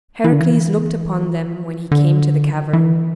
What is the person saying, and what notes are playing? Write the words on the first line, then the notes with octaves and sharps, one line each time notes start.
Heracles looked upon them when he came to the cavern.
E3
D3
E3
D3
E3